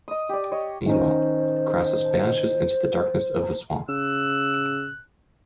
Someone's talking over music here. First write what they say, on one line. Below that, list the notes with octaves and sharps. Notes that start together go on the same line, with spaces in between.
Meanwhile, Crassus vanishes into the darkness of the swamp.
D#5 D#6
G4 D5
C#5 D#5
D#3 C#4 D#4 C5
C#3 E6 F#6